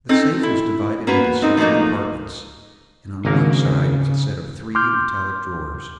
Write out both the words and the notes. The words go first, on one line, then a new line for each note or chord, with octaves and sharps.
The safe was divided into several compartments, and on one side was a set of three metallic drawers.
C4 C#4 D#4 A4
E4
A#3 B3 C#4 F#4 B4
C4 D#4 A#4
F3 F#3 A3 A#3 D#4
G#1 C#3 A#3 A#4
C6 D6 F6 G6